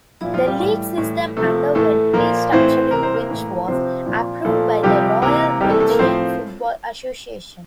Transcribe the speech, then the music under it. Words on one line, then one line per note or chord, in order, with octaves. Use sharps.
The league system underwent restructuring which was approved by the Royal Belgian Football Association.
A#2 F3 E4
F3 F4
G3 G4
A2 E3
A2 E3
C3 F3 A3 A4
A2 E3 A3 A4
A#2 F3 A#3 A#4
A2 E3 C4 C5
C3 E3 A#4
C5
A#3 A#4
A2 E3
C3 F3 C4 C5
A#2 F3
A#2 F3 A3 A4
C3 F3 G3 G4
C3 E3 A#3 A#4
C3 E3 G3 G4
A3 A4
A3 A4
A#3 A#4
A2 F3 C4 C5